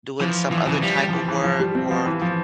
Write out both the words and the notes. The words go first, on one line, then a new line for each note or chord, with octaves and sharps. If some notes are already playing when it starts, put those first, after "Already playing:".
doing some other type of work or,
E3 F3
E3 F3
C#3 E3
F3 G3
F3
E3
E3
F3
G3
C4
F3
E3
F3